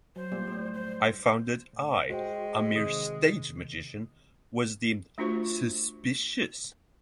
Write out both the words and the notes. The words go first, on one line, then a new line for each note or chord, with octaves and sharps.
I found that I, a mere stage magician, was deemed "suspicious"!
F#3 C5
A#2 G3
A2
C5
A2
G#3 F#4 C5 G5
C3 D#3 D#6
A3 D4 F4 F#4 C5 C#6